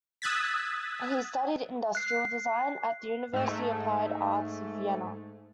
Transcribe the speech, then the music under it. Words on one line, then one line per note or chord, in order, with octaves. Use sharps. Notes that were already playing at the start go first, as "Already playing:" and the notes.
He studied industrial design at the University of Applied Arts Vienna.
D#6 E6 F#6 G#6 A6 B6
F#6 C7
G#2 A3